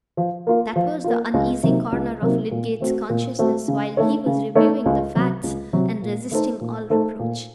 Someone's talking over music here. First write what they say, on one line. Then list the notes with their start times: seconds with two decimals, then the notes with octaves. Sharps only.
That was the uneasy corner of Lydgate's consciousness while he was reviewing the facts and resisting all reproach.
0.17 F3
0.47 A#3 F4
0.76 F3
1.04 A#3 F4
1.34 C#2
1.63 C3 F#3 A#3 D#4
1.92 C#2
2.22 C3 F#3 A#3 D#4
2.51 A#2
2.81 A3 C4 F#4
3.10 A#2
3.39 A3 C4 F#4
3.68 C#3
3.97 A3 D#4 A4 C#5
4.26 C#3
4.55 A3 D#4 A4 C#5
4.86 C#2
5.15 C3 F#3
5.44 C#2
5.73 C3 F#3
6.03 A#2
6.32 A3 D#4 A4 C5
6.61 A#2
6.90 A3 D#4 A4 C5
7.20 A#2